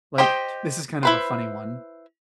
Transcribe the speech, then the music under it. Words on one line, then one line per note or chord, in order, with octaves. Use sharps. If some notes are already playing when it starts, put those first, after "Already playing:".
like, this is kind of a funny one,
G4 C5 D#5 G5
E4 B4 C5